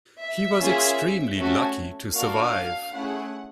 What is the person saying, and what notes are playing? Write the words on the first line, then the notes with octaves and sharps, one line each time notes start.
He was extremely lucky to survive.
E5
A#3 C#4 F4 G#4
A3 C#4 F#4 A4
A#3 D4 F#4 F5
A3 C#4 E4 G#4 F#5